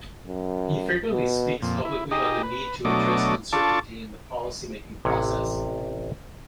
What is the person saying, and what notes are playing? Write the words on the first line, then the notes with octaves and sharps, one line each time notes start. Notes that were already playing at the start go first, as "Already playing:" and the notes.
He frequently speaks publicly on the need to address uncertainty in the policy-making process.
F#2
B2
F2 A#2
E4
D#4 G4 G#4 D#5
B4
B2 F#3 A3 D4 D#5 D6
D4 F4 A4 A5 C#6 D6
A1 C3 C#5